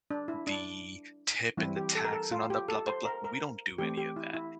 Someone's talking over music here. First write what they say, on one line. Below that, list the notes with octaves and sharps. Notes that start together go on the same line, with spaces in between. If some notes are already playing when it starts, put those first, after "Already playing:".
the tip and the tax and all the blah, blah, blah" We don't do any of that,
D4
E4
D4
E3 G3 C4 E4
G4
A4
A#4
A4
F4
G4
A4
C5
A#4
A#4
E3 A3 C4 G4
G4
E4
E4